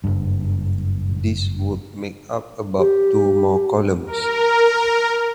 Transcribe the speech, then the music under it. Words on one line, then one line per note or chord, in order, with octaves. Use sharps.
This would make up about two more columns.
F#1 G2
G4
A#4